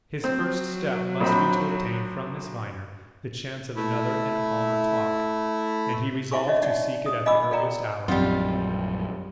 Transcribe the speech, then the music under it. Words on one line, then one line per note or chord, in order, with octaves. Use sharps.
His first step must be to obtain from Miss Viner the chance of another and calmer talk; and he resolved to seek it at the earliest hour.
F#3 C4
A#1 C4 B5
A3 E4
E4 F#4 E5 F5 G#5 C#6
D#4 F#4 C#5 D#5 E5
D#4 D5 F#5
D#6
D#5 F5 G#5 B5 D6 E6
A4 D5 F5 G5 A#5
A#1 F#2 G3 C4 F4 D#5 F#5